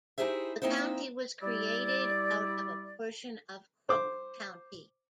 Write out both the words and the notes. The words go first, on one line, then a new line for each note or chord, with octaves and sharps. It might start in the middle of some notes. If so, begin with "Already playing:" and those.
The county was created out of a portion of Crook County.
D#4 E4 G4 G#4 C5 E5
A#3 C4 D#4 E4 C5
G3 E4 D5
C5 D6